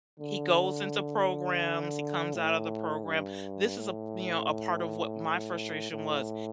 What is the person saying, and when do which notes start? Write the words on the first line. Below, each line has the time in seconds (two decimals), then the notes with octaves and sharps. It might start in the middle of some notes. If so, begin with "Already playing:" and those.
He goes into programs. He comes out of the program. This is a, you know, a part of what my frustration was.
0.19 D3
2.34 A2
3.05 G2
3.77 A2
5.92 A2